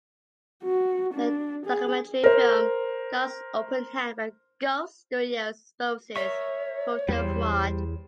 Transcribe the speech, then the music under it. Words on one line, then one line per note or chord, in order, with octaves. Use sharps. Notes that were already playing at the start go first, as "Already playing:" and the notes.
The documentary film "God's Open Hand" by Ghost Studios exposes voter fraud.
F#4
D4
G#4
A#4 C5
A#4 C#5 E5 C#6
E2 G3 C5